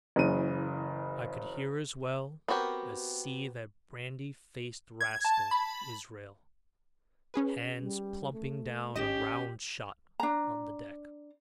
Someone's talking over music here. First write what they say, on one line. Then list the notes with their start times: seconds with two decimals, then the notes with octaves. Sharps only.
I could hear as well as see that brandy-faced rascal Israel Hands plumping down a round-shot on the deck.
0.16 F#1 C#3 E3 D#7
2.48 B3 C4 F#4 G4 A#4
5.01 G#6
5.25 A5
5.51 B5
7.34 C#4 G#4 B4
7.80 G3
8.32 A3
8.95 G#1 C#4 G4 D#5 E7
10.20 D4 A#5